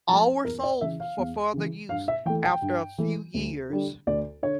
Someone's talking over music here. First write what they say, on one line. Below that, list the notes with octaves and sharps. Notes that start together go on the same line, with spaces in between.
All were sold for further use after a few years.
F3 A3 A5
E2 A#4
D5
C#3 E3 E5
F5
E2
C#3 E3
G2 F5
E5
E3 A3 G5
G5
G2
E3 A3
D2
D3 G3
D2 D5
D3 C#5